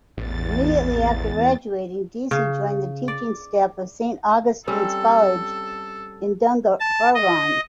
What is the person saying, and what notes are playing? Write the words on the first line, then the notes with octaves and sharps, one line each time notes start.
Immediately after graduating, Deasy joined the teaching staff of Saint Augustine's College in Dungarvan.
A1 E2 A6
C#3
D5
G3 C4 C#4 A4
A5
D#5